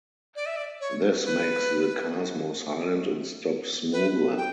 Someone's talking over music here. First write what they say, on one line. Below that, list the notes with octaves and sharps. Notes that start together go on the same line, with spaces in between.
This makes the cars more silent and stop smoother.
D5
E5
D5
C#5
B4
B4
G5